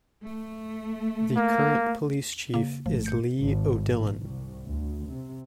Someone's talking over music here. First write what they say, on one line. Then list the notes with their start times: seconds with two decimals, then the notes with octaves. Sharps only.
The current police chief is Lee O'Dillon.
0.24 A3
1.36 A#3
2.54 C#3 A#3
2.86 G#1 F3 A3
3.05 G6 C#7
3.39 G#1
3.89 A#1
4.23 C2
4.64 D2
5.07 C3